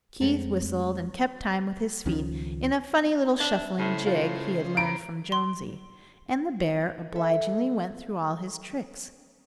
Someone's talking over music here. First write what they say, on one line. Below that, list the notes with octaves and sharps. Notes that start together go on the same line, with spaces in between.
Keith whistled and kept time with his feet in a funny little shuffling jig he had learned from Jonesy, and the bear obligingly went through all his tricks.
F2 G#3 A3 C4
C#2 D#3 F3 C#4
D4 D5
E5
A2 C#3 C5
A2 F4
A#5 B5 D7
C6
A4 E5